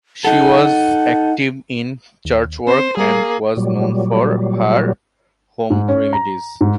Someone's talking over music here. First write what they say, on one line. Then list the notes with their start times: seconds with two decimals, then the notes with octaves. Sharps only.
She was active in church work and was known for her home remedies.
0.24 D#4 A4 F#5
2.25 D#2
2.67 C4 C5
2.97 G3 A#3 G#4
3.57 A#2 F#3 G3
5.70 G#2
5.89 C#4
6.13 A#5
6.61 G#2